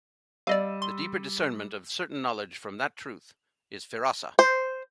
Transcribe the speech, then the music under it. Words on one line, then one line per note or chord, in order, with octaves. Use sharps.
The deeper discernment of certain knowledge from that truth is "firasa".
G3 D5 D#5 F5 E6 D#7
C6
C5